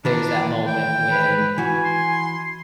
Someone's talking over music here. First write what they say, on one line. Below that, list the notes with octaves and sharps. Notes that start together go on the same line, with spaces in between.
There's that moment when
D#3 E3 D4 E4
G5
B4
E3 F#4 G#5
C6